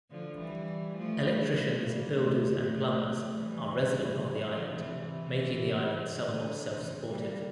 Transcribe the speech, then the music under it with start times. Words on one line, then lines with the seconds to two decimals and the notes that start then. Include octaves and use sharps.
Electricians, builders and plumbers are resident on the Island, making the island somewhat self-supportive.
0.11 D3 F3
0.39 E3 G3
0.97 F3 A3
1.26 E3 G3
1.56 F3 A3
1.85 G3 A#3
2.15 F3 A3
3.30 E3 G3
4.47 D3 F3
4.76 C3 E3
6.22 D3
6.79 C3 E3
7.09 G3 A#3